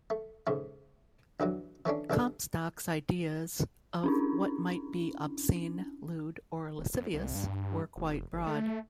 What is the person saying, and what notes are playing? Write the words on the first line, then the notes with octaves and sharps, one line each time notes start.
Comstock's ideas of what might be "obscene, lewd, or lascivious" were quite broad.
A3
G#2 C#3 A3
D2 D3 E3 F#3
E3 A3 C#4 D4
C2 E3 D4 A4
C#4 D4 E4
D1
F2
C2
G2
F1
G1
A3